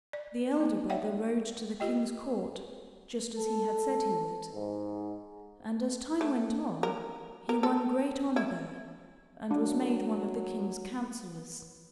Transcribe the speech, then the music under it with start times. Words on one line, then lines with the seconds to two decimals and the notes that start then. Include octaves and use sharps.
The elder brother rode to the king's court just as he had said he would; and as time went on he won great honor there and was made one of the king's counselors.
0.13 D5
0.56 A#3 D#4
0.90 C#5 D5 E5 F#5 G5
1.80 F4 G4 D#5 G5
3.37 A4
4.52 G#2
6.21 A3
6.83 A#4
7.49 A#4
7.63 A4
8.36 E4
9.51 F#3 D4